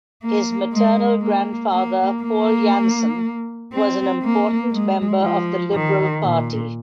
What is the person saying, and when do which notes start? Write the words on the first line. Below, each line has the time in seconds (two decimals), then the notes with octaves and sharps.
His maternal grandfather, Paul Janson was an important member of the Liberal Party.
0.23 A#3
0.73 G#3
1.22 A#3
1.73 A#3
2.23 A#3
3.73 C4
4.23 A#3
4.72 G#3
5.22 F3
5.73 D#3
6.23 A#2